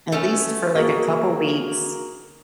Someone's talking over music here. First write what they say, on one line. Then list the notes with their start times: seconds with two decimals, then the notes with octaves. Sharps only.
at least for like a couple weeks,
0.12 A3 B3 C#4
0.75 A#3 F#4 G#4